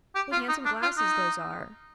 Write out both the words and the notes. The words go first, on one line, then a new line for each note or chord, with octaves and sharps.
What handsome glasses those are!
G4
F4
D#4
D4
F4
D#4